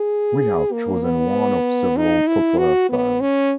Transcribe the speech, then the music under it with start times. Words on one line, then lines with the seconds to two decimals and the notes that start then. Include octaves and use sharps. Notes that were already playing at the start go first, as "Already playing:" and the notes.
We have chosen one of several popular styles.
Already playing: G#4
0.72 A#3
1.03 B3
1.97 D#4
2.27 E4
2.58 F#4
2.89 B3
3.20 C#4